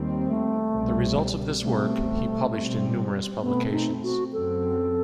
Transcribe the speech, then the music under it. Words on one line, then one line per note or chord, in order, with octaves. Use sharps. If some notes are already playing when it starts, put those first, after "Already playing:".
The results of this work, he published in numerous publications.
Already playing: D#2 D#3 G3 C4
A3
C2 B2 G3 C4
B2 G3 A3 C4
B2 G3 C4
B2 A3 B3 C4
D#4
F#4
F#2 F#3 C4 A4